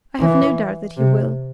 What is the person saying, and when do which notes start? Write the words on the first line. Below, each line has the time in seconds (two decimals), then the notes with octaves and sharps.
I have no doubt that he will.
0.20 E3
0.97 C3